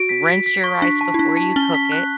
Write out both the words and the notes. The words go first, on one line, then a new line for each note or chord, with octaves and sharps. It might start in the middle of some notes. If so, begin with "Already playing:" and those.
Rinse your rice before you cook it,
Already playing: F#4 D7
B6
B6
B6
C#6
D4 B6
A5
E4
D4 B6
A5
C#4 G7
B6
F#6